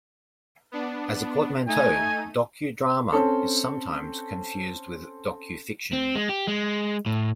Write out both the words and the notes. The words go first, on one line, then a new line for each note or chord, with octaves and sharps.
As a portmanteau, "docudrama" is sometimes confused with docufiction.
B3 D4
A3 D#4 G#5 D#7
C4 C#4 A4
C4
G#3
G4
G#3
A2